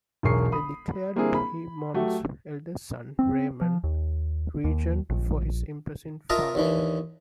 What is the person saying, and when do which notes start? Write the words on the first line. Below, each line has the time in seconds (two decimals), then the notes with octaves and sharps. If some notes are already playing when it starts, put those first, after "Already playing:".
They declared Bohemond's eldest son, Raymond, regent for his imprisoned father.
0.23 E1 B1 G#4 A#4 C#6 C7
0.52 B5 D#6
1.16 G3 A#3 C4 D4 E4 G#4
1.34 B5
1.94 F#3 A3 F#4 G4
3.19 C4
3.61 F3
3.84 D#2
4.64 D#2
5.10 A#1
6.30 F4 A#4 D#5 E5 A5 A#5
6.55 D#2 D3 E3